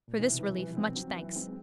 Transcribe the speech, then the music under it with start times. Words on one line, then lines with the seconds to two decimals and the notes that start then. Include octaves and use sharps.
For this relief much thanks.
0.08 A#2
0.19 B2 E3
0.32 C3
0.39 E3
0.45 F3
0.58 E3 G3
0.77 C4
0.96 F#3 C4
1.16 E3
1.36 G#3 C4